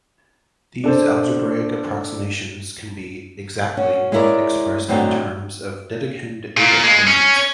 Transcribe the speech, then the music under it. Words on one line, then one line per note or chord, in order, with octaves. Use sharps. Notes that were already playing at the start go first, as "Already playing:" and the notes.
These algebraic approximations can be "exactly" expressed in terms of Dedekind eta quotients.
D4 A4 C5
C#4 F#4
G#3 C#4 E4 A#4 D5
F#2 A2 D3 C4 D#4
A#2
G#3
C#4